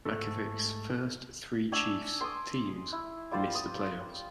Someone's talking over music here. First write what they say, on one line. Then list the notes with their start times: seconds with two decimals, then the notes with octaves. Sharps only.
Mackovic's first three Chiefs teams missed the playoffs.
0.05 G#2 A3 A4
1.72 D4 C#5 E5 G#5
2.21 C6 D6 D#6
2.92 E4
3.31 G3 F4 C5 D5
3.55 D#6